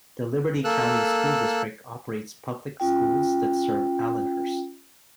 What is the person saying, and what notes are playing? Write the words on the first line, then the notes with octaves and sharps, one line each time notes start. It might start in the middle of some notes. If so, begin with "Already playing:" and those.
The Liberty County School District operates public schools that serve Allenhurst.
A#3 A4 E6 F#6
C#4 F4 G5